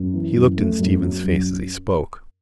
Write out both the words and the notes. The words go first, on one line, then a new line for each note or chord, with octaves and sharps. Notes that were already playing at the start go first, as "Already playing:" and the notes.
He looked in Stephen's face as he spoke.
Already playing: F#2
E3
F#2
A3
F#2
F#3
F#2